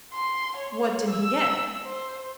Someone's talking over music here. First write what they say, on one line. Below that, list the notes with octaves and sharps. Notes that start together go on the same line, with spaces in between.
"What did he get?"
C6
C#5
E6
C5